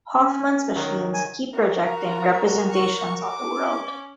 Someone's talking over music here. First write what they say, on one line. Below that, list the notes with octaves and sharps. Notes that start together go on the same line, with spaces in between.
Hoffman's machines keep "projecting representations on the world".
C#4
D#3 F#3
G#5
F#4 A#4
A#5
C#6
D6
C#4